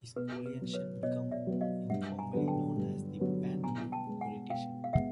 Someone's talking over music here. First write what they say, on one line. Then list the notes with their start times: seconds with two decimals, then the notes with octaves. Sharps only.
This coalition became informally known as the Pan-Blue Coalition.
0.16 B2 B4
0.46 B4
0.59 F#3 B3
0.74 B4 C#5
1.03 B2 C#5 D#5
1.31 D5 E5
1.47 F#3 B3
1.61 D#5 F5
1.90 G2 E5 F#5
2.19 G#5 A#5
2.33 D3 F#3 B3
2.48 G5 A5
2.76 G2
3.20 D3 F#3 B3
3.63 B2 G#5 A#5
3.92 G5 A5
4.07 G#3 B3
4.21 F#5 G#5
4.50 B2 F5 G5
4.84 F5
4.93 G#3 B3 E5 F#5